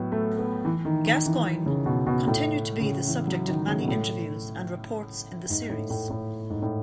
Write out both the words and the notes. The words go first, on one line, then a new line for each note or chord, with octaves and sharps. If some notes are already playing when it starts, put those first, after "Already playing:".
Gascoigne continued to be the subject of many interviews and reports in the series.
Already playing: A2 F#3 B3
A3
B3
E3
D#3
D#3
E3
C#3
B2
B2
A2
C#3
E3
F#3
D#3
C#3
B2
A2
G#2
A2
A2
A2
G#2
A2